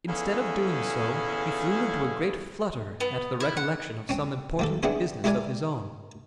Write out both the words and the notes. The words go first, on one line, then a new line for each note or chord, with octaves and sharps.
Instead of doing so, he flew into a great flutter at the recollection of some important business of his own.
E2 C#4 G#4 A4 F5
B3
E4
F#5
C4 C#4
D#3 A#3 A4
B3 C4 D4 E4 G#4 C5
G#3 E4 G4 A#4 D5 G#5